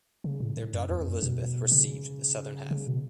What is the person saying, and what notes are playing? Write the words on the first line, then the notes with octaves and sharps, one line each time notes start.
Their daughter Elizabeth received the southern half.
C#3
A2
A2
F#2
E2
F#2
B2
C#3
C#3
B2